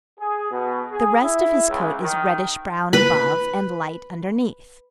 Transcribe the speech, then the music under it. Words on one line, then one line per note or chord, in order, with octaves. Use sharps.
The rest of his coat is reddish-brown above and light underneath.
G#4
B2
G#4
E4
C#2
D#3
B4 B5